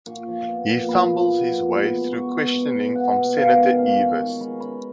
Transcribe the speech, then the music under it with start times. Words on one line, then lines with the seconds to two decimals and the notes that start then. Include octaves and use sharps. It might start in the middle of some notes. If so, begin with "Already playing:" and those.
He fumbles his way through questioning from Senator Eavis.
0.06 A#2 C#6
0.28 F3
0.47 B3
0.68 A#2
0.89 A#2 B5
1.10 F3
1.31 B3
1.51 A#2
1.72 B2 B5
1.92 G#3
2.13 B3 C#6
2.34 B2
2.54 B2 B5
2.76 G#3
2.95 B3 F#5
3.16 B2
3.37 D#3 F5
3.58 G#3
3.78 C#4 F5
4.00 D#3
4.19 D#3 C#6
4.40 G#3 B5
4.60 C#4 B5